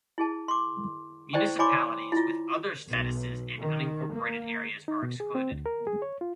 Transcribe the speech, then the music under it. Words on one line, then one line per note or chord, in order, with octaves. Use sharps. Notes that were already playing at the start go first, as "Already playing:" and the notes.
Municipalities with other statuses and unincorporated areas are excluded.
E4 G#4 A5
C6 D6
E4 C5 D5 G5 C#6
E4 C#5 G#5 B5 C6 D6
E4 F4
B1
D#3
A#3
D#4
B2
G#4
C4
D2
A#4
G#4
C#5
F4